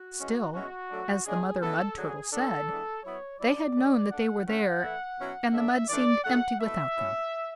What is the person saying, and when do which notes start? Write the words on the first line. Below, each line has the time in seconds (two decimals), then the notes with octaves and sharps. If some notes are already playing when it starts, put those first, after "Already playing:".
Still, as the Mother Mud Turtle said, "They had known that they were there, and the mud seemed empty without them."
Already playing: F#4
0.19 E3 G#3 C#4
0.53 B2 G#3 C#4 E4 F#4
0.89 F#3 A3 D4
1.25 C#3 G#3 D4 G#4
1.60 C#3 E3 B3 A4
1.96 D3 F#3 A3 D4 G#4
2.32 E3 B3 D4 A4
2.67 E3 G#3 B3 D4
3.03 F#3 B3 E4 C#5
3.39 F#3 C#4 E4 D5
3.75 D3 G#3 D4
4.10 D3 A3 D4 F#5
4.46 D3 A3 C#4 E4 F#5
4.81 E3 A3 E4
5.18 B2 F#3 C#4 E4
5.53 D3 A3 D4 E5
5.88 E3 A3 D4 D5
6.24 C#3 F#3 A3 F#5
6.60 B2 A3 E4 E5
6.96 F#3 C#4 E4